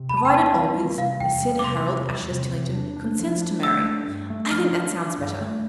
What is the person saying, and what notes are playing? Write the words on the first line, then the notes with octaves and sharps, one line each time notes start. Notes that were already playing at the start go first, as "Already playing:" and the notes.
"Provided always the said Harold Ashurst Tillington consents to marry"-- I think that sounds better!'
Already playing: C3
E2 B5
A5
G5
C4 A5
G3 F5
G3
C3 F5
E2 G5
G3
D6
C3 C6
G3
E2
C3
E2
D4
D4
F3
D4
A3 E6
D4
G2
A3
F3 F6
D4
D4
G2
A3